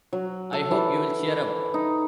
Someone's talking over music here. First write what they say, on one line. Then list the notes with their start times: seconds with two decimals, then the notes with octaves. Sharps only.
I hope you'll cheer up.
0.13 F#3
0.53 A4
0.71 E3
1.74 D#4